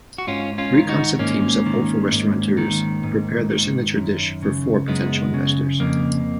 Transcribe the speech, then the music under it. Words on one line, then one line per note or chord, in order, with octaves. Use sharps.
Three concept teams of hopeful restaurateurs prepare their signature dish for four potential investors.
F#4
G#2 C#4 F4
C#4 F4
D#3
D#4 F#4
G#2 A#3 C#4
D#3
G#2
D#3
G#2
D#3
F#2
C#3
F#2 G#3 B3
C#3
F2 A#3